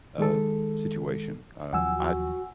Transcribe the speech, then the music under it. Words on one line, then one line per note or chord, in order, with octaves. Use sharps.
uh, situation. Um, I
D#3 G#3 A4
D#2 F3 F#3 F#5 G#5 E6
F#4